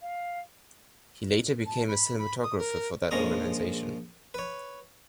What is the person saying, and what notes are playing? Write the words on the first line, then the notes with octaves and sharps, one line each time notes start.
He later became a cinematographer for that organization.
F5
A5
B5
B5
D#6
A#4
A#1 F3 G#3 C#4 A#5 D#6
B4 C#5